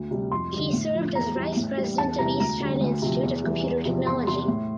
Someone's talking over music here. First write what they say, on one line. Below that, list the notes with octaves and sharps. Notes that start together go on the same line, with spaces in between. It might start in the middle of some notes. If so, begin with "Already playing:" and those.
He served as Vice President of East China Institute of Computer Technology.
Already playing: D2
C3 G3
F2 C6
D3 G3
A2
F3
E2 A#5
E3 G3
A2
G3
E2 A5
C3 E3 G3 A#5
D2 A#5
D3 G3
D2
C3 F3
E2
E3 G3
E2
C3 F3
E2 C6
C3 G3 C6
A2